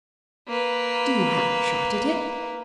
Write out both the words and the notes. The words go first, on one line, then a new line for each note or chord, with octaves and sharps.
Do have a shot at it.
A#3 B4